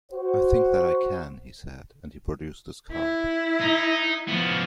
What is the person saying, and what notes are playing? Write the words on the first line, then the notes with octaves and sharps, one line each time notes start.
"I think that I can," he said, and he produced his card.
F#4 C5
E4
D#4
F3 B3